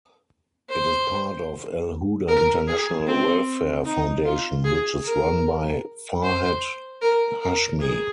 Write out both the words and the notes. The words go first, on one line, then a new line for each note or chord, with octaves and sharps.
It is part of Al-Huda International Welfare Foundation which is run by Farhat Hashmi.
C5
A#4
G#4
C4
D#4
F4
G#4
A#4
C5
A#4
A#4
G#4